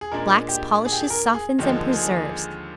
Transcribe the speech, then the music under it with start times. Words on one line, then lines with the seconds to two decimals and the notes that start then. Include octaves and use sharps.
Blacks, polishes, softens and preserves.
0.01 G#4
0.12 A#2 G#3 D4 A#4
0.49 G4
0.86 G#4
0.92 G4
1.01 G#4
1.10 A#4
1.34 G#4
1.59 D#2 D3 F3 G#3 G4
1.96 G#4